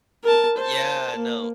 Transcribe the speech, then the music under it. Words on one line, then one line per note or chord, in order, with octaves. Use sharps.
Yeah. No.
A#4 A5
C5 A5
A#3